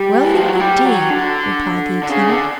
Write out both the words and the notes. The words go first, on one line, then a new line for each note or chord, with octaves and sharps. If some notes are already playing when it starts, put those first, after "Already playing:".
"Wealthy, indeed!" replied the intendant.
Already playing: G3
E3
F3
F#3
G3
F#3
D3
D3
C#3
D3